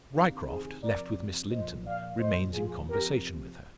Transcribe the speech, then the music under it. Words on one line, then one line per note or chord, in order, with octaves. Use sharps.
Ryecroft, left with Miss Linton, remains in conversation with her.
C3 D#3 A#3 D4
G#4 C5
C3 F3 A#4 D5
A#2 F3 C5 D#5
D5 F5
A#2 F3 C5 D#5
F4 G#4
C3 F3 G4 A#4